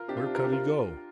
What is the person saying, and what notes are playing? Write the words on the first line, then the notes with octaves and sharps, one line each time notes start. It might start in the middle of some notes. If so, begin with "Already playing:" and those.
Where could he go?
Already playing: F4 A#4
C3 D4 G4
F4
D4
F4 A#4
D4 G4
F4 A#4